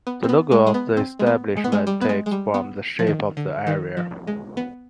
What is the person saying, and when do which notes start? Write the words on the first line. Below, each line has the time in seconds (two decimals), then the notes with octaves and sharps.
The logo of the establishment takes from the shape of the area.
0.07 B3
0.24 C4
0.29 B3
0.52 G#3
0.67 G#3
0.74 B3
0.97 C4
1.19 G#3
1.27 B3
1.57 G#3
1.64 B3
1.72 G#3
1.87 G3
2.01 B3
2.09 G#3
2.26 G#3
2.31 G3
2.54 B3
2.99 F3
3.07 D#3
3.37 D3
3.67 D#3
3.97 F3
4.27 G#3
4.57 B3